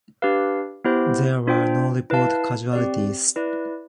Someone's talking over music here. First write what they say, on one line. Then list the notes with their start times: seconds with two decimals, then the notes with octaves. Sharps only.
There were no reported casualties.
0.22 D4 G4 B4 F5
0.84 B3 E4 G4 C5
1.47 D4 F4 C5 G5
2.10 E4 B4 F5 A5
2.73 C4 G4 D5
3.36 E4 B4 D5